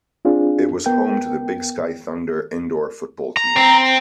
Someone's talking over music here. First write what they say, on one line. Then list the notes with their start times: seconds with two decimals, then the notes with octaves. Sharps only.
It was home to the Big Sky Thunder indoor football team.
0.25 C4 D4 F4 G#4
0.86 B3 A#4 G5
3.37 A#5
3.56 C4